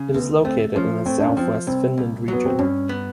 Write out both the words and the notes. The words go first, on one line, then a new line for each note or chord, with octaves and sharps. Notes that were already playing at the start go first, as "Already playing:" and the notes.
It is located in the Southwest Finland region.
Already playing: C#3
D2 B3
A3 C4
F3 C#4
A2 C4
D4
C#4
F3 C4
C2 C4
C2
F#3 B3
C4
G2 C#4
B3